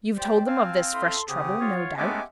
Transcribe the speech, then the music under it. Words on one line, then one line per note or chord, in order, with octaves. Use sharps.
"You've told them of this fresh trouble, no doubt."
G4 C5 D5 G5
C4 F5 G#5 A5
E4 A4 B5 C6 D#6
C#3 C4 G4 F#5 D#6
F4 C#5
G#3 A3 B3 C#4 G4 G#5 D6